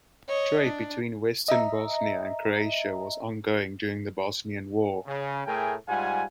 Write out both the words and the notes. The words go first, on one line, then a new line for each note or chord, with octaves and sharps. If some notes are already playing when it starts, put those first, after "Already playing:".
Trade between Western Bosnia and Croatia was ongoing during the Bosnian war.
C#5 D#5
D4
D#5 E5 A#5
C#3
A2 A3 G#4 A#4 G5 G#5
G#2 G3 F4 F#5 G#5